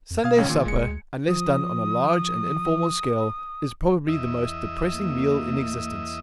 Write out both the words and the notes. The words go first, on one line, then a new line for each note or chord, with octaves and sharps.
Sunday supper, unless done on a large and informal scale, is probably the most depressing meal in existence.
F2
B2 F5 D#6 G#6
G#1 C#2 C#4
A#2 D#3
G1 G#3 C#7
D2
F3 D#6
E2 D#5 E5
A#3